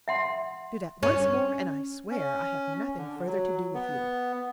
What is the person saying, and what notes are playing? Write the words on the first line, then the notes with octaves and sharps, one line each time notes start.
Do that once more, and I swear I have nothing further to do with you!'
E5 F#5 C6
C#4
C#4
D3
F#3
B3